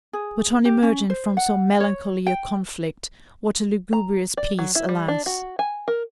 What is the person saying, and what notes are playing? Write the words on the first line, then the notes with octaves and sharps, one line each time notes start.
But on emerging from so melancholy a conflict, what a lugubrious peace, alas!
G#4
G4
C#4
C5
F#5
C#5
G5
A#5
D5
F#3
E4
G3
D4
F#4
G#5
A#4